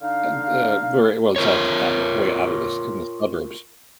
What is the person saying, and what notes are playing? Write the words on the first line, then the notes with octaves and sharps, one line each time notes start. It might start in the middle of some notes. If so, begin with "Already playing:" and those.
uh, and, uh, very well, it's out it's out o way out of the s in the suburbs.
D3 D#4 F5
F4 A#4 C#5